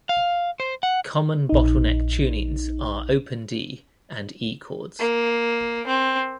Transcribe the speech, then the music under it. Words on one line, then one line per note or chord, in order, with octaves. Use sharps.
Common bottleneck tunings are open D and E chords.
F5
C5
F#5
A#1 D#4
A#3
C4